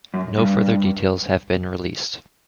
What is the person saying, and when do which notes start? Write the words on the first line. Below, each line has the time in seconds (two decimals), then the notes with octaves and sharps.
No further details have been released.
0.14 F#2
0.38 G2